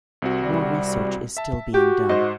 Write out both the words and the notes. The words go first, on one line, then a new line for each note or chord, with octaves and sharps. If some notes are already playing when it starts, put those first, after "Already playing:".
More research is still being done.
C2 C4 F#4
G3
E5 A5
F#4 G4 G5
G#2 C5 D#5